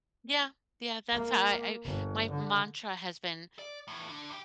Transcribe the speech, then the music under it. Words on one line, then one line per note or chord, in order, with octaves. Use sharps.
Yeah, yeah, that's how I I my mantra has been,
A#3
G1
D3
D5
E2 A2
D3 D4
G2 G4